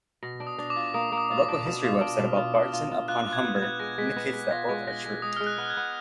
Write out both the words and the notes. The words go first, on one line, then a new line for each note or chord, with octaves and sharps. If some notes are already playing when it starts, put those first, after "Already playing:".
A local history website about Barton-Upon-Humber indicates that both are true.
B2 A#6
D4
D#6
D4
D6
F4
A#3 D#6
A#3
D#6
F4
D6
D#6
D4
B2 D#6
F4
D4 F6
B2
F4 F6
D4
F4
F4
F4 F#6
F4
G#6
B3
G#6
B3
G#3 A#6
G#3 B6
B3 A#6
G#3 B6
F4 A#6
G#3
G#3 A#6
G#3
G#3 D#6
G#3 F6
F#6
B3
G#6
B3